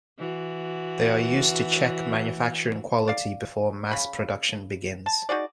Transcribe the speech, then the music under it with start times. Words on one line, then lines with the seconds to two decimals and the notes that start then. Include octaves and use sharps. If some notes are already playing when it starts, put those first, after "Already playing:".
They are used to check manufacturing quality before mass production begins.
0.19 E3 F#4
3.08 D5 F5
3.91 C#3 B5
5.06 A5
5.29 D#4 F#4 G#4 D5